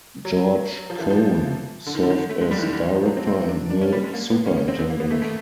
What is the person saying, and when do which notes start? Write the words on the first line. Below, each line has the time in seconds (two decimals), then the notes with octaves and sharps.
George Cone served as director and mill superintendent.
0.25 F#3
0.90 F3
1.00 E3
1.10 F3
1.86 D3
1.95 D#3
2.03 D3
2.10 D#3
2.29 A3
2.41 G#3
2.51 G3
2.58 E3
2.63 D#3
2.73 G3
2.95 F3
3.06 F#3
3.17 C4
3.33 C#4
3.49 D4
3.70 D4
3.81 C#4
3.93 G3
4.04 G#3
4.13 A#3
4.30 B3
4.46 C#4
4.57 C#4
4.68 C4
4.78 B3
4.90 A#3
5.00 B3
5.11 A3
5.22 A3